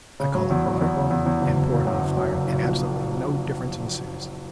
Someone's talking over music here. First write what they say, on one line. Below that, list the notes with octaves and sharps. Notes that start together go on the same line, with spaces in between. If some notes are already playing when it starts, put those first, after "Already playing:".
I call up water, and pour it on the fire, and absolutely no difference ensues.
C#3
F#3
E2
F#3
E2
C#3
E2
E2
F#1
F#1
F#1
F#2
F#1
F#2
F#1
F#1
A#1